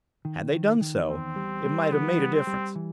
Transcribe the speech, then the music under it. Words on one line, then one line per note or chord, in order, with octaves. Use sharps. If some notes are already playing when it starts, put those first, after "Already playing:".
Had they done so, it might have made a difference.
D#3
D#3
D#3
E2 C4
G3
G3
E3 B3
G3
C4
G3
E3